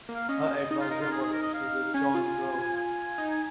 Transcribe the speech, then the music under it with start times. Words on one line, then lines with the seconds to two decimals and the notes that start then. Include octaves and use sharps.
Her advisor was Professor John Rowe.
0.09 A#3
0.16 F5
0.29 C#4 D#5
0.71 D#4 D#5
0.81 F4
0.91 D#4 A#4
1.01 F4
1.12 G#4
1.22 G#4
1.33 A#4
1.42 D#5
1.53 F5
1.94 C#4 G#5
2.15 F4
2.77 G#5
3.18 D#4